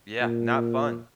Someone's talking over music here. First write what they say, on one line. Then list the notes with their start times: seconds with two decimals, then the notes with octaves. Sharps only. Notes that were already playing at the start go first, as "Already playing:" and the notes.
Yeah, not fun.
0.21 A#2